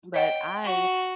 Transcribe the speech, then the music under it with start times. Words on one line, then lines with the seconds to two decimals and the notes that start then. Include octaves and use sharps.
But I
0.14 C#5 D#5 F#5 G5
0.64 F#4